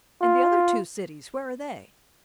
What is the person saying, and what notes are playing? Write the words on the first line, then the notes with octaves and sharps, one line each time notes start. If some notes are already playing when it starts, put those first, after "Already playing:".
"And the other two cities----where are they?"
F4